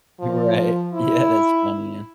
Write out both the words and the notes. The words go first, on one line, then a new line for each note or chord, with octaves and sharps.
Right. Yeah, that's funny, yeah.
F3
E4